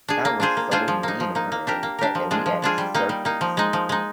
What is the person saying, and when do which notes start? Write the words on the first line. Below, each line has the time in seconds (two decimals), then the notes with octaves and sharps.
That was so mean of her, and the fact that we at the circus,
0.08 D4 G#4
0.25 A#3
0.40 D4 F4 G#4 C5
0.57 A#3
0.71 D4 F4 G#4 C5
0.88 F3
1.03 A#3 D#4
1.20 F3
1.35 A#3 D#4
1.52 A#3
1.67 D4 G4 A#4
1.83 A#3
1.99 D4 G4 A#4
2.15 F3
2.31 G#3 D4 F4 G#4
2.46 F3
2.62 G#3 D4 F4 G#4
2.78 G3
2.95 A#3 D#4
3.09 G3
3.25 A#3 D#4
3.41 F3
3.57 G#3 D#4
3.73 F3
3.89 G#3 D#4